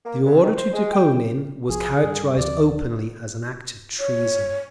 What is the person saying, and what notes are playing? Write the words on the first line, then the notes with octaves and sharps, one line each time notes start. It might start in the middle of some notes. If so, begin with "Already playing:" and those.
The order to Dukhonin was characterised openly as an act of treason....
A#3
G2
D#3
C5
G#3
G5
A#1 F3 G#4
G2
D2 D3 F3 D5
C#5